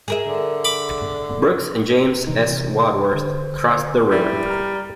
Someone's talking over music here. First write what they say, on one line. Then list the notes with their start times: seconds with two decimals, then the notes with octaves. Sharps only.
Brooks and James S. Wadsworth crossed the river.
0.08 G#4 A#4 E5
0.27 D3
0.65 B5 D6
2.27 C3 E3 D#4
3.11 D3 C5
4.11 G3 E4 D5 E5
4.46 A#5 F6